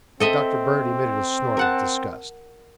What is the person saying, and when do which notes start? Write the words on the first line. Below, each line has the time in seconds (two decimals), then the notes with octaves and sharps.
Dr. Bird emitted a snort of disgust.
0.20 C4 A4 D#5 E5
1.57 A#4 F#5 A5